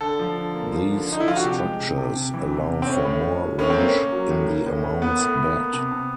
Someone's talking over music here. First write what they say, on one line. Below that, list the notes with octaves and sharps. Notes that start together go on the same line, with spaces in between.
These structures allow for more range in the amounts bet.
D3 A4
F3
D3
A#3
F3
D3
D3 D#4
E4
F3 F4
F#4
C3 G4
G#3
C3
C3
C3
E3
C3
C3
C4
A2 C#4
A2
A2
A2
A2 C#4
C4
A#3 C#4
A#3
F#3
A2
A#3
A2
A2
A#3 B3
A2
A2
A#3
C3
C3